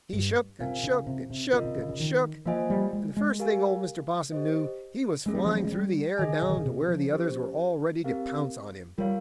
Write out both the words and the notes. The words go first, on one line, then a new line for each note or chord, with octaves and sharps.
He shook and shook and shook and shook, and the first thing old Mr. Possum knew, he was flying through the air down to where the others were all ready to pounce on him.
G2
C3 F4 A#4 F5 G#5
C#3
C3
C3
C#3 F4 A#4 D#5
C3
C#3
C#3
D#3
F3 A#3 F4 C5 D#5 G#5
G3
G#3
G#3
G4 A#4 F5 G#5
G4 C5 D#5
G#3 A#3 C#4 G#4
G3
F3
G3
G#3
G3
D#3 G#4 D#5 G#5
C#3
D#3
C#3
C3
F3
C#4 G4 C5
C4 G4 A#4 F5
G3 F4 A#4 C#5 F5